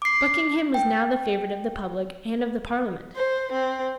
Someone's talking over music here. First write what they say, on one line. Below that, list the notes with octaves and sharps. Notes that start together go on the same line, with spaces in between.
Buckingham was now the favorite of the public and of the parliament.
D6 C7
G5
C5
C4